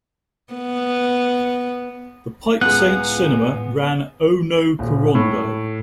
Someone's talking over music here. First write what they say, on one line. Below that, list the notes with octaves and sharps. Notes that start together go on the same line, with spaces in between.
The Pike Saint Cinema ran O No Corondo!
B3
C#2 A2 G#3 B3 G#5 F#6
D#1
A2